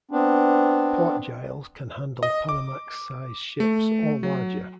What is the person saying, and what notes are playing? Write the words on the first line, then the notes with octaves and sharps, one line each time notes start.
Port Giles can handle Panamax size ships or larger.
B3 C4 D4
D#5
D6
A3
F#3